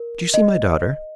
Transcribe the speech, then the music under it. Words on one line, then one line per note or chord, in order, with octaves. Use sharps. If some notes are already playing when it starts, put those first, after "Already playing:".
"Did you see my daughter?"
Already playing: A#4
D#5